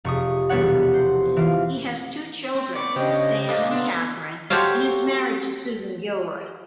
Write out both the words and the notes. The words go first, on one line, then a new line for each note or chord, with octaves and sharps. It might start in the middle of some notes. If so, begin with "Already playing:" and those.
He has two children, Sam and Kathryn, and is married to Susan Gilroy.
F1 C#6 D#6
E1 G3 B3 C#5 F#5
C5
E3 F4
C4
B3 C#5 D5
C#3 D4 G4 C5 D#5 D#6 G6
A#3 D4 A4 F5 D#6
D3 B3 C4 D4 C6
F#4 G4 A4 C5 C#5 F5